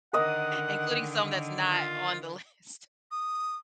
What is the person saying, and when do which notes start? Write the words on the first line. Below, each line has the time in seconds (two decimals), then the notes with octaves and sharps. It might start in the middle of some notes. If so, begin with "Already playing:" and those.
including some that's not on the list.
0.13 D3 D#3 A#4 D#5 F#5 D#6
1.72 F4
3.11 D#6